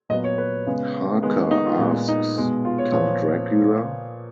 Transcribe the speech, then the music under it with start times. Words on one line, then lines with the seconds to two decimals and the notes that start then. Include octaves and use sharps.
Harker asks, Count Dracula?
0.09 A#2 F#3 B3 D#5
0.24 C#5
0.38 B4
0.67 C#3 G#3 B3
1.22 D#3 G#3 B3
1.51 D#4
1.65 F4
1.79 A#2 G#3 B3
2.08 D#4
2.35 B2 G#3 B3
2.65 F4
2.78 C#5
2.92 A#2 F3 B3 C#5